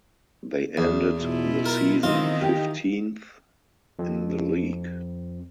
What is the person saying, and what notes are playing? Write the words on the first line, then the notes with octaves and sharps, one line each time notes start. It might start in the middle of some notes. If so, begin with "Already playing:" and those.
They ended the season fifteenth in the league.
E2
B2 E4 F4
A#4 A5
D#3 E3 C4 D#4 F4 D#5
G4 G5
F2